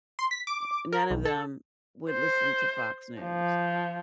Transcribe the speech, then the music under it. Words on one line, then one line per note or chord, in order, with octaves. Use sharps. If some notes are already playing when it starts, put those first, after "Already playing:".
eh, none of them would listen to Fox News,
C6
B6
D6
A#4
B1
A4
C5
F3